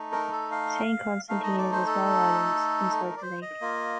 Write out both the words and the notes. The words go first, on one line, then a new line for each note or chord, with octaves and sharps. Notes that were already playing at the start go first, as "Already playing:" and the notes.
Saint Constantine is a small island inside the lake.
Already playing: A3 D#4
A#4
A4
F5
A3 D#4 F5
D#5
D5
C5
A4
A#4
D5
C5
D#5
A#3 F4